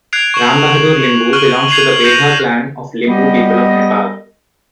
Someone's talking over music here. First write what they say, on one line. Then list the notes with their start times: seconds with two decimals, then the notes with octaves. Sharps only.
Rambahadur Limbu belongs to the Begha Clan of Limbu people of Nepal.
0.13 F#6 G#6 C7 D7 F7
0.34 C#6 E7 F#7
1.33 C#6 F6 F#6 D#7 F#7 G7
1.68 G#6 C7 D#7 F7 F#7
2.04 G6 A#6 C7 E7 F#7
3.06 G3 B3 G4 D#5